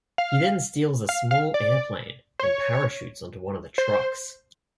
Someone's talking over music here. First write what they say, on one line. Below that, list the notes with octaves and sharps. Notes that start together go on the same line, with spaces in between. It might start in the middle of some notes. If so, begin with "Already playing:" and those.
He then steals a small airplane and parachutes onto one of the trucks.
F5
F5
F5
D5
C5
C#5
C5